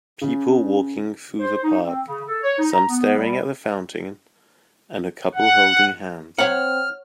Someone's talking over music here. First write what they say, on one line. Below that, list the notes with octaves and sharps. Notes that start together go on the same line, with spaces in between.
People walking through the park some staring at the fountain, and a couple holding hands.
C#3
C5
D#4
C4
C#3
A4
C#5
D#4
A#5
B3
G3
F#5
C4 C#5 F#5 F6